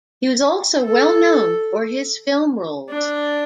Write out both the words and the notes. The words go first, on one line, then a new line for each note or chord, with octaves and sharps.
He was also well known for his film roles.
A4
D4